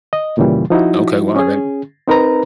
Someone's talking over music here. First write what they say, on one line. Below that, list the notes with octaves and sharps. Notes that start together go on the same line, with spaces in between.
Okay, wow, that
D#5
D#2 A#2 C#3 E3 G3
F3 D#4 E4 F#4
C#4 G#4
C4 D#4 A#4 B4 A#5